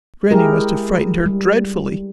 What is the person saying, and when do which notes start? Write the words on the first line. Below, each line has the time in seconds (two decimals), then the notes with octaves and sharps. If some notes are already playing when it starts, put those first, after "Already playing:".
Grannie must have frightened her dreadfully.
0.31 G#3 E4 G4 G#4 A#4
1.26 G3